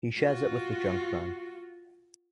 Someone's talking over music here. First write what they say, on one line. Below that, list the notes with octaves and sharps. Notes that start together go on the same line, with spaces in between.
He shares it with the junkman.
F4 F#4